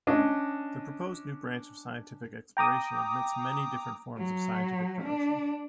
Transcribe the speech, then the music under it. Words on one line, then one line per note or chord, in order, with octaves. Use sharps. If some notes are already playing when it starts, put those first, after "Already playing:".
The proposed new branch of scientific exploration admits many different forms of scientific production.
C#4 D4 D#5
G5 A#5 D6 D#6
F#3
D4